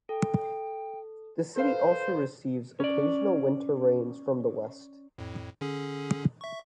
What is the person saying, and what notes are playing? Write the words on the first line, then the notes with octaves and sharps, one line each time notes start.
The city also receives occasional winter rains from the west.
A4 G5
A4 B4 C5 F5
C#4 D5
F2 A2
D3 C#4 G#4
E5 C#6